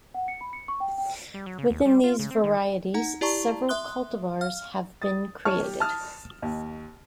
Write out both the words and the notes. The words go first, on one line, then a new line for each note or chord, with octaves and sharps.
Within these varieties, several cultivars have been created.
F#5
C#7
B5
C#7
C#6
G5
G5
G3
F#3
C#3
D#2
G3
F4
C#3
C4
D#3
D#4 F#5 A#5
E4 G4 D5 A5 A#5 C#6
E5 C6 D#6 F#6 G7
F5 F6
D#6 A6
C#5 A5 C#6 F6
G4
A5 D#6 F6
D#2